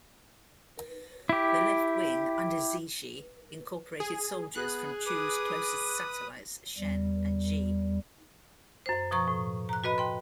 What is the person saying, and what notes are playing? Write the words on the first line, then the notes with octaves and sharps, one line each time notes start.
The left wing under Zixi incorporated soldiers from Chu's close satellites Shen and Xi.
E4 G4
G#4
B3 G#4 F#6
B4 D6 D#6
E2 G3
F#2 C5
B2 F3 A#5 C#6 D#6
A2
A#5 F#6
F#4 B4 D#5 B5
G5 C6